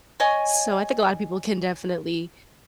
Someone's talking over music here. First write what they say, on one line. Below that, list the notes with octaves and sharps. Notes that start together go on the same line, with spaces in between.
So I think a lotta people can definitely
C#5 D#5 G#5